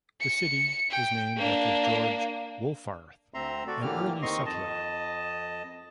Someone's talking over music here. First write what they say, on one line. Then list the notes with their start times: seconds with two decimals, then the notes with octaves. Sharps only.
The city is named after George Wolffarth, an early settler.
0.21 C#7
0.90 G5
1.36 A#3 D4
3.34 D2 C4 E5 A#5 C6
3.67 F#4 A4 D5
3.82 A2 D3 E3 A#3 G4 F6
4.22 D#2 D#3 C4 D#5 C6 C#6
4.46 F2 D#5 A5